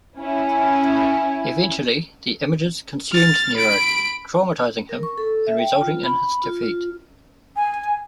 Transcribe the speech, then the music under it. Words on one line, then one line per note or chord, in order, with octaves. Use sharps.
Eventually, the images consumed Nero, traumatising him and resulting in his defeat.
C#4 E4
F6 A6
B5 D7
A#4
C#6
A4
E5
G5
F4
B5
F4
F4
G#5